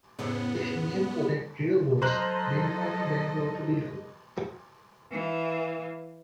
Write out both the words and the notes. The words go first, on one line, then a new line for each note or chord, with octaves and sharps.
His name for that trio was "Bingo to Bango to Bilko".
F2 A2 C#3 B3
F#3 A4 C5 D#5 A#5 F6 F#6
E3 F5